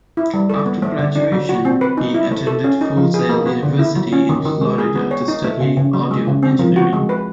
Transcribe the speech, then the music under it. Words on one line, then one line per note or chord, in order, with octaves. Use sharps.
After graduation, he attended Full Sail University in Florida to study audio engineering.
E4
G3
A4
B3
A3
D3
D4
F#3
F#4
C4
B4
D#4
E4
A3
A4
C#4
D#4
F3
G#4
A#3
B3
D3
E4
F#3
C#4
D#3
D#3
G#3
G#4
B3
C#5
D#4
A3
C#3
C#3
F#3
G#3
C#3
C4
F3
F#4
G#3
B4